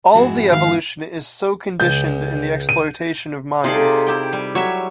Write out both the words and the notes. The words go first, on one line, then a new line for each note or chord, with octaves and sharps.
All the evolution is so conditioned in the exploitation of mines.
F2 G#2 C4 E4 F#4 G#4
D#3 F5
C#2 G6
D#7
C3 D#4 F4 G#4 A4 D5
E4 G4 G5
G3
F#3 C#5 E5